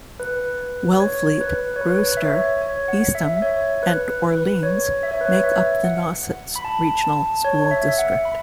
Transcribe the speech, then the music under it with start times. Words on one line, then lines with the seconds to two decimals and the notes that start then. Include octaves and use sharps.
Wellfleet, Brewster, Eastham and Orleans make up the Nauset Regional School District.
0.20 B4
1.00 C#5
1.41 B4
1.76 C#5
1.81 B4
2.17 E5
2.22 C#5
2.62 C#5
2.88 F#5
3.15 E5
3.37 E5
3.42 C#5
3.83 B4
4.23 B4
4.63 C#5
5.03 E5
5.11 C#5
5.21 B4
5.29 C#5
5.44 E5
5.84 F#5
6.56 B5
6.65 A5
7.04 A5
7.45 C#5
7.71 E5
7.88 E5
7.98 F#5
8.25 B5